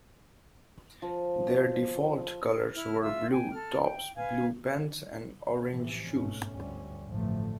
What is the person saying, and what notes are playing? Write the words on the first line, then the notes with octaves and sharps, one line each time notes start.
Their default colors were blue tops, blue pants and orange shoes.
F3
E4 F6
F4 E5 E6
G5 G#5
A4 F6
G5
B4 F5 G#5 G#6
A2 C3 E3 F3
G1 G#2 B2 A3 C#4
G1 D2 G3 C#4
A1 G2 D3 F3 A3